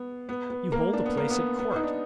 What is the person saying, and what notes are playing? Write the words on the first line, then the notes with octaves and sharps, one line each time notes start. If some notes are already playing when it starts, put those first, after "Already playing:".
You hold a place at court.
Already playing: B3
B3
B3
A#3
D4
B3
A#3
B3
B3
D#4
D4